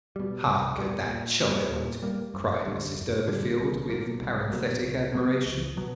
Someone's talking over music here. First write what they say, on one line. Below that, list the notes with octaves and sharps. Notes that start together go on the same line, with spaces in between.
"Hark at that child!" cried Mrs Durbeyfield, with parenthetic admiration.
B2 G3
C2
B2 G3
A#2
G3 A#3
A#2
G3 A#3
F#2
D3 G3
F#2
D3 G3
C2
B2 F#3 A#3
C2
B2 F#3 A#3
C#2
B2 F#3 B3
C#2
B2 F#3 B3